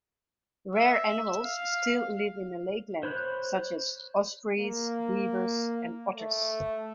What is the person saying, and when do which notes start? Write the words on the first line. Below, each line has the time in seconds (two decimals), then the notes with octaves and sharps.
Rare animals still live in the lakeland, such as ospreys, beavers and otters.
0.75 E5
1.44 F5
3.03 C5 C#5 B5 F#6 G6
4.59 A#3
6.17 A3